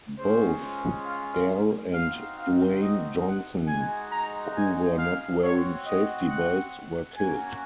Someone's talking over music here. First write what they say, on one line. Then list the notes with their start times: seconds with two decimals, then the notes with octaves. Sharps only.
Both Darr and Duane Johnson, who were not wearing safety belts, were killed.
0.18 G#3 C#4 F4 C5
1.06 F5
1.93 C4 D#4 F#4 F5
2.36 F5
2.80 D#5
3.24 F#5
3.67 G#3 D#4 F#4 G#5
4.11 A#5
4.54 G#5
4.99 F5
5.42 C4 F#4 C#5
5.85 D#5
6.29 F#5
7.16 A#3 C#4 F#4 G#5